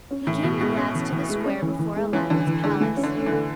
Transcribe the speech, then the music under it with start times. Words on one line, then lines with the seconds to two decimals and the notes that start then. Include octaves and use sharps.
He came at last to the square before Aladdin's palace.
0.11 C#4
0.27 A2 E3
0.43 B2 E3
0.61 B2 G#3
0.77 C#4
0.95 E3
1.12 E3
1.29 G#3
1.45 C#4
1.62 E3
1.79 E3
1.96 G#3
2.13 E3 C#4
2.30 D3 E3
2.47 E3
2.64 D3 G#3
2.80 E3 A3
2.97 C#4
3.03 D3
3.14 D2
3.26 D3 E3